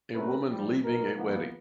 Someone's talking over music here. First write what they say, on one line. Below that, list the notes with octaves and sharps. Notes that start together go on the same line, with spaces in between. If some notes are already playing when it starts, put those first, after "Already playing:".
A woman leaving a wedding.
C3 F#3 A3 C#4 A#4 B4
F3 G3
B1 B2 A#4
C3 D#3 F3 A#3 B3